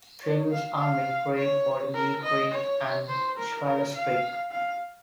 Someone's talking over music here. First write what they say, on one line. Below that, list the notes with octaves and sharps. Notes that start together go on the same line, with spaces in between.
Tributes are Millcreek, Polemic Creek, and Skyles creek.
C#5
F5
F5
C#5
A#4
D#5
C#5
C5
A#4
A#4
F5
F5